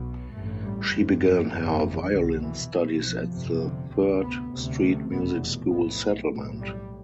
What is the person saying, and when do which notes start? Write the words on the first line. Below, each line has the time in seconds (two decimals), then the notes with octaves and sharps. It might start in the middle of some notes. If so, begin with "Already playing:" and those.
She began her violin studies at the Third Street Music School Settlement.
Already playing: B1 B2
0.33 A1 G2 A3
0.63 G3
0.92 G1 F2 C3
1.22 F3
1.52 G1 F2 C3
1.82 E3
2.12 C2 B2 D3
2.41 E3
2.72 B1 B2
3.01 F3
3.31 G1 F2 C3
3.61 D3
3.91 D2 C3 C4
4.21 B3
4.50 D2 C3
4.80 A3
5.10 F1 E2 B2 B3
5.70 B1 A2 B3
6.30 B1 A2
6.59 G3